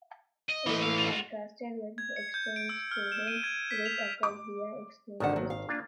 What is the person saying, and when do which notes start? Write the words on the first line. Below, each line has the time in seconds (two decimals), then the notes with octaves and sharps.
It is contrasted with exchange trading, which occurs via exchanges.
0.50 D#5
0.66 E3 A3
0.83 F5
0.98 F4 F#4
1.98 G#6
2.16 C#7
2.34 G6
2.56 D7
2.69 E6
2.91 F6
3.12 E7
3.27 D#7
3.44 G#6
3.71 B6
3.86 F7
3.98 F7
4.23 D6
5.20 G#1 F2 D3 D#3 F#5 A5
5.36 F#3
5.50 F5
5.69 A#3 D4 F4